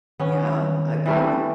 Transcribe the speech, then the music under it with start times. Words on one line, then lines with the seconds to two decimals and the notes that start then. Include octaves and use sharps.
Yeah, I I would
0.20 D#3 B3 C#4
1.06 E3 G3 A3